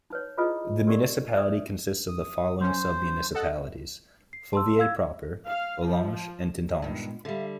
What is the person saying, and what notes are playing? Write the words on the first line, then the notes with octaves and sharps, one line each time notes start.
The municipality consists of the following sub-municipalities: Fauvillers proper, Hollange, and Tintange.
D#4 B4 C#5
E4 F4 G#4 A4 B4 D#5
G4 A#4 D5 C#6
A4 B4 C#5 D5 E5
D#6
F#3 C#4 C5
A4 D#5 F#5
C7
A5 C6 E6
F5 E6 G#6
F5
F3
G2 A#2 D#3 G#3 B3
D3 G3 E5 F5